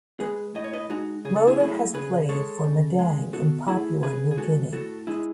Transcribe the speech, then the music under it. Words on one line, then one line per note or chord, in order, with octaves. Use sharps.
Moeder has played for Madang in Papua New Guinea.
G#3 G#4 B4
A2 D#5
C#5
B4 D#5
G#3 D#4 F#4
C#3 G#4
A4
E4 G#4
F#3 A3 E4 G#4
C#3 G#4 B4
G#3 A4 C#5
C#3
G#3
B2 F#4 A4
A3 E4 G#4
C#3 G#4 B4
G#4
G#3 F#4 A4
A2 F#4 A4
G#3 E4 G#4